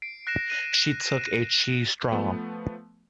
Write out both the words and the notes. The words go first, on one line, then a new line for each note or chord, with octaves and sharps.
She took a cheese straw.
C7 D7
F#6 A#6 C7 E7
F#6 D#7
C7 E7
D#7
F3 A3 B3